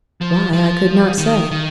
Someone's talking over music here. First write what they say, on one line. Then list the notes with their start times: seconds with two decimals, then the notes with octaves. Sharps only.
Why, I could not say.
0.21 F3
0.53 F3
1.18 D#3
1.51 D#3